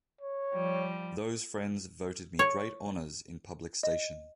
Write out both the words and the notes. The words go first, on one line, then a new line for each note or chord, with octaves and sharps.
Those friends voted me great honors in public station.
C#5
F3 G3
C#5
D#5